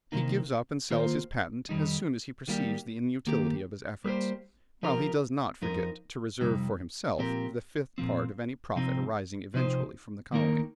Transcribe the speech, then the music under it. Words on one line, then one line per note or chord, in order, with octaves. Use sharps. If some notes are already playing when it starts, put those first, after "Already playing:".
He gives up and sells his patent as soon as he perceives the inutility of his efforts, while he does not forget to reserve for himself the fifth part of any profit arising eventually from the colony.
C3 D#3 A#3 D#4
D#3 A#3 F4 C5
F2 D#3 G3 D#4
D#3 G3 A#3 D#4 G4
D#3 A#3 G4
G3 A#3 G4 C5
F3 D#4 G4 A#4
F2 F3 D#4 A#4
F2 C3 G3 D#4
A#2 F3 C4 G4 A#4
A#2 F3 C4
C3 F3 C4 D#4
C3 F3 D#4 C5
D#3 A#3 D#4 A#4